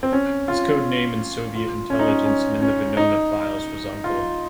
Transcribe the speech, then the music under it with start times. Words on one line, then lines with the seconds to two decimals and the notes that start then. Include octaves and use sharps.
His code name in Soviet intelligence and in the Venona files was "Uncle".
0.03 C4
0.12 C#4
0.48 F4
1.55 F4
1.90 C#4
1.99 D#4
2.08 C#4
2.26 C#4
2.62 C#4
2.97 D#4
4.04 F4